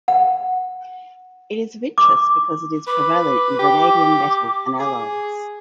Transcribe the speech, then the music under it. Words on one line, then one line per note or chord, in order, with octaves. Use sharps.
It is of interest because it is prevalent in vanadium metal and alloys.
F#5
D6
B4 D6
G4
G#4